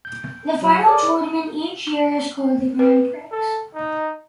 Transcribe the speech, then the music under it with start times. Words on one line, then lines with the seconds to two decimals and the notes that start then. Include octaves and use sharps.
The final tournament each year is called the "Grand Prix".
0.05 G6
0.62 F#3
0.87 G#4 A#4 C#5 D5
2.79 B4
3.32 A4
3.75 D#4